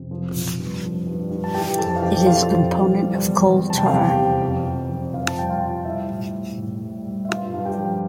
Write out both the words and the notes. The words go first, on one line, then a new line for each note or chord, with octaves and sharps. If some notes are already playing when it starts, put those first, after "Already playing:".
It is a component of coal tar.
Already playing: F2 C3
F3
F3
G2
F3
G2
G2
A5
E3 G4 G5
F2 A4 A5
F5
F2 G4 G5
F2 F4 F5
F2
F2
G3
E2
E2
C3 A5
G5
F5
E2 G4 G5
G4 G5
C3
F2
F2
F2
F2 F4 F5
A5
G3 G5
F4 F5
G3
G3 E4 E5
A2
A2
A2
G3
G3
E5
G2 F4 F5
G2 F5
G4 G5
F3